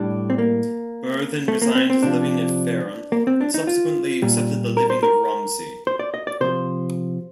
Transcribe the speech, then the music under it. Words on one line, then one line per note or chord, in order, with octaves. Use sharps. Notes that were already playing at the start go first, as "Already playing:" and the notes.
Berthon resigned his living at Fareham, and subsequently accepted the living of Romsey.
Already playing: A2 G3 D4
C4
A#3
A3
A#3
C4
C4
C3 F3 D4
A#3
C4
D4
D#4
F4
A#2 G3
A#4
C5
A#4
C5
D5
D#5
D5
C3 F3 C5